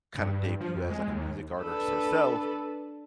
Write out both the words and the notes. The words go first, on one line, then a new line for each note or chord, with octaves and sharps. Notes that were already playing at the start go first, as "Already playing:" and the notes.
kinda debut as, like, a music artist herself,
G2
F3
F2
G#3
D#2
D4 A4 B4